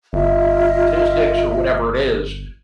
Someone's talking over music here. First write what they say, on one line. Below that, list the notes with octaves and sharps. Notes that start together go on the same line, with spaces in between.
statistics, or whatever it is,
G1 F4 D#5 E5